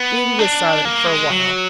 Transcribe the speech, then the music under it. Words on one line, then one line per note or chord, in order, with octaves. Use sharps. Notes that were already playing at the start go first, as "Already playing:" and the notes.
Davie was silent for a while.
Already playing: B3
D4
A#3
G#3
F#3